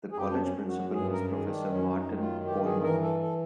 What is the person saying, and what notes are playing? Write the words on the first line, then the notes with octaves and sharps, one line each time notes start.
The College Principal is Prof. Martin Pohlmann.
G#4
F#2 G4
D4
C#4
F#2
F#4
G2 G#4
A#4
D#3 G#4
D4
F#2 C#4
D#4
D#3
F4
G2 G4
G#4
E3 A#4
A4
A4